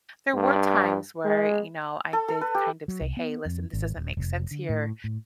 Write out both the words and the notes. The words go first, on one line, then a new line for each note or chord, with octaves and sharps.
there were times where, you know, I did kind of say, "Hey, listen, this doesn't make sense here.
G2
G#3
A4
A4
B4
G4
F#3
C2
B3
F2
G#1
D#1
F1
D3
A2
A2